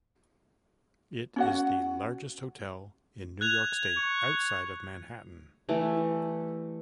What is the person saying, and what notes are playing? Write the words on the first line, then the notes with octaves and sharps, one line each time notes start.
It is the largest hotel in New York state outside of Manhattan.
C#4 F#4 F#5
F#6 G#6 F7
C#6
E3 G3 A3